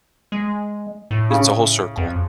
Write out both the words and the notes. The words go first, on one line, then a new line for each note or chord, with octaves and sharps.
it's a whole circle.
G#3
A2
C#3
F2